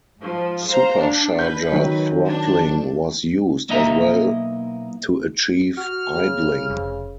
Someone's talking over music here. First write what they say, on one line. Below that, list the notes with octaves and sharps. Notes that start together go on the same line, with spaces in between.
Supercharger throttling was used as well to achieve idling.
G#2 F3
C5 F5 A#5
D4
B4 G6
D#3 F#3
D4
B1 A#3 E4 D#5 E5 A#5
F#4 F6
C#3
F1